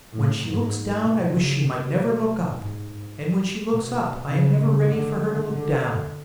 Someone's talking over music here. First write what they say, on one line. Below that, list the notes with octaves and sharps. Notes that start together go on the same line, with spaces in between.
When she looks down I wish she might never look up, and when she looks up I am never ready for her to look down.
A2
G#2
B2
C#3
B2
G#2
B2
C#3
C#3
D3
D3